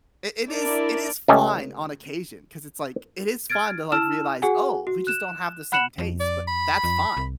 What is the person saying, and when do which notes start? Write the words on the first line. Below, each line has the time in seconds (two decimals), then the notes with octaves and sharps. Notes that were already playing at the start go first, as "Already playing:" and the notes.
i it is it is fine on occasion 'cause it's, like, it is fun to, like, realize, "Oh, we just don't have the same taste, but that's fine."
0.50 D4 E4 A#4 D5
1.28 C#2 A3 C#4 G4 D#5 A5
3.50 F6 G#6 A6 D7
3.92 E4 A5 E6 F6 E7
4.42 F#4 G#4 F#5 G#5
4.87 F#4
5.07 F#6 E7
5.72 F#5 B5 F#6 C#7 E7 F#7
5.98 F2
6.20 D5
6.48 B5
6.84 F2
7.17 C2